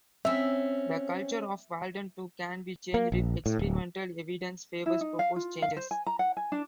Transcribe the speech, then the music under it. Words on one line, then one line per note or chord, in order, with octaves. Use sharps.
The culture of Walden Two can be changed if experimental evidence favors proposed changes.
C4 C#4 E5
A#3
A#1
A2
D1
E4
D#4
F5
F4
F5
C5
G#5
A#5
F#5
G#5
D4